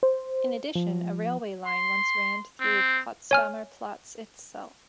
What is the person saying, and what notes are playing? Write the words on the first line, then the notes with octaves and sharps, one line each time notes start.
In addition, a railway line once ran through Potsdamer Platz itself.
C5
F3
C6
C4
C#5 G#5 F6